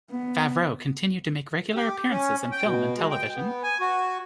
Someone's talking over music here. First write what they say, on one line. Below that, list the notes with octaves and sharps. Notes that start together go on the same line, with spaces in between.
Favreau continued to make regular appearances in film and television.
B3
G4
C#4
G5
B2
G#3
G5
B3
G#5
F#4